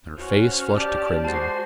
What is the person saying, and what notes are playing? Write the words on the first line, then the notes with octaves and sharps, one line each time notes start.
Her face flushed to crimson.
C#4 F#4 C5 F6
G4 D5 A5
G#3 F#4 C5 A5 A6 C7